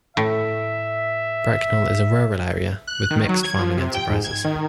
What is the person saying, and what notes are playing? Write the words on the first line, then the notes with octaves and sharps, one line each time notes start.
Bracknell is a rural area with mixed farming enterprises.
A2 E5
F#6
D#3
F#3
G#6
F3
C3
G5
G#2
G#6
D#3